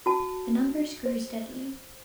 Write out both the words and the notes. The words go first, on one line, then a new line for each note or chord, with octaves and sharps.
The numbers grew steadily.
F#4 A5
C5